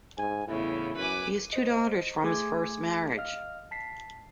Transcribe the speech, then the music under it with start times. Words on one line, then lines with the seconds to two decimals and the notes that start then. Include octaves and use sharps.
He has two daughters from his first marriage.
0.18 G#2 G#5
0.48 E2 A2 C#3 E4
0.96 F#2 B4 G#5 D6
1.53 C5 D#5
2.23 A3 G#4 G#5 C6 D6 G#6
3.17 D#5 F5 F6
3.71 A5 B6 C7